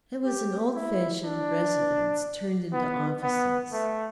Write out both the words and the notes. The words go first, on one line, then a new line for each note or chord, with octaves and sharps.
It was an old-fashioned residence turned into offices.
G4
E4
D4
B3
B3
A3